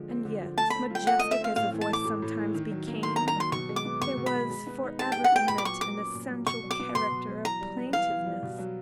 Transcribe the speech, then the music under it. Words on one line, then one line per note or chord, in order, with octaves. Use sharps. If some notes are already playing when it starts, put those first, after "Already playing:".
And yet, majestic as the voice sometimes became, there was for ever in it an essential character of plaintiveness.
Already playing: D3 F3 G#3
C4
D3
F3
A3 A5
C4 B5
F4 G5
A4 F#5
A3 D#5
E5
C4 F5
A2 F5
E3
A5
A3 D6
A2
A2
E3
D#3
F#3
A#3
D#3 C6
A#5
D#3
A#5
F#3 C6
B2 C#6
G#3
D6
B3
B2 C#6
B2
B5
G#3
G#3
B3
D#4
G4 A5
G#3 G5
F#5
B3 G5
A#2 B5
D6
F#3 C#6
A#3 D6
C#4
A#2
F#3
B2 C#6
F#3
D6
B3
B2 C6
B2
F#3
E3 A#5
G3
B3
E3 F5
E3
G3
B2
F#3